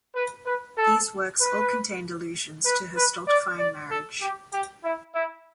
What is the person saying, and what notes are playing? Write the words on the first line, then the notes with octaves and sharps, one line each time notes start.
These works all contained allusions to her stultifying marriage.
B4
B4
A4
B4
B4
B4
D5
D5
A4
G4
G4
E4
E4